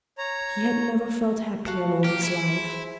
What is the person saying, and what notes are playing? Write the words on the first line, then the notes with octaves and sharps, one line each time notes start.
He had never felt happier in all his life.
C#5 A#5
F#4 F5 A5
A#3 G4 A#4
E4 G#4 C5